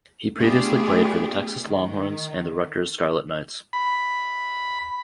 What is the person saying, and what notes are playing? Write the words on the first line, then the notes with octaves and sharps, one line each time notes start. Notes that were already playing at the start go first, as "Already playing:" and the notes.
He previously played for the Texas Longhorns and the Rutgers Scarlet Knights.
A3 B3 D4 F4 G4 G#4
D#3
B5